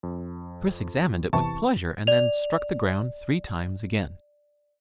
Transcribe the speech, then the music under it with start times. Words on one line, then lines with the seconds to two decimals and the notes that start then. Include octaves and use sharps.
Chris examined it with pleasure and then struck the ground three times again.
0.03 F2
1.33 E2 C3 E3 A5 C#6
2.07 D5 F7